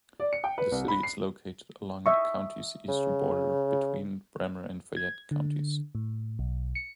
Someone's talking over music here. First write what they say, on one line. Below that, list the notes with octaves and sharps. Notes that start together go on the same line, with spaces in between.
The city is located along the county's eastern border, between Bremer and Fayette counties.
D5
C#7
G5
B4
C2
B5
C7
D#5 E5 C#6
C#3
G#6
D3
A2
B1
C#7